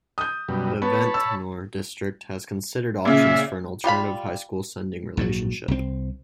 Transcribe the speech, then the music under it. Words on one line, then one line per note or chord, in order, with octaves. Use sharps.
The Ventnor district has considered options for an alternative high school sending relationship.
D#6 G6
F#2 B2 G3
B3 C#5 A5 B5
E6
A#2 C#3 D5 E5
G3 F4 F5 B5
A#1 G#2 B2 F#3
C2 C4